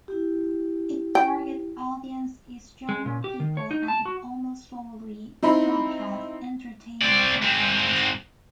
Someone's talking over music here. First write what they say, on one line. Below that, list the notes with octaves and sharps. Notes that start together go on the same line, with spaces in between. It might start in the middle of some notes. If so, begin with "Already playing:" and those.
It target audience is younger people and it almost solely broadcasts entertainment programmes.
E4 G4
G5
G#3
A#2
G4
D#3
C#5
D#4
A5
F#4
C4 D#4 E4 B5
C4 D5
G#2 C4